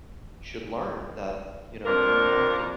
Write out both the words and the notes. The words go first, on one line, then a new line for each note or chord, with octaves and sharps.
should learn, that, you know, you have to
F2 D4 F4 A#4